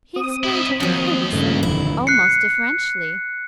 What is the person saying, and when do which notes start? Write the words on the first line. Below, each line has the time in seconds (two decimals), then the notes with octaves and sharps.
He explained to her courteously--almost deferentially.
0.16 C4 D#6
0.44 G#2 E4
0.80 D#2 F3 F#3
1.33 G2 C#3 A3
1.63 D#1 F2 D3 E4
2.07 F#6 C7 C#7